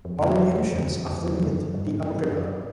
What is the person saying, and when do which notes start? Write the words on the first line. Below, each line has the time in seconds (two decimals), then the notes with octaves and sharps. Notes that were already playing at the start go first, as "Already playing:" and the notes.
Modern editions often omit the Apocrypha.
0.05 F2
0.61 F2
0.75 E2
0.89 F2
1.18 E2
1.46 F#2
1.74 G2
1.88 G#2
2.31 F#2